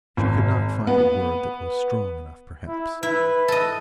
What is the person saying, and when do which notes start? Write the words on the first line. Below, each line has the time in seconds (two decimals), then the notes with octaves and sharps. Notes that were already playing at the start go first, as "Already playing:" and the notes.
She could not find a word that was strong enough, perhaps.
0.17 G#1
0.87 B3
2.67 E4
3.03 E4 B4
3.48 A4 D#5